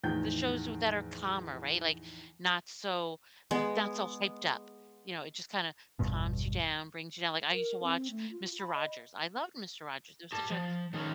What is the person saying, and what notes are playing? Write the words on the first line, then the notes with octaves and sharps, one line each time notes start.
the shows w that are calmer, right, like, not so n not so hyped up, you know, it just kinda calms you down, brings you down, like, I used to watch Mister Rogers, I loved Mister Rogers, it was such a
E2 A2 F3 D#4 G5 G6
G#3 B3
G1 E2 G2 B2
A#4
C4
A3
F4
B5
D#5
G4 A5
F3
D#3 G#3 C#4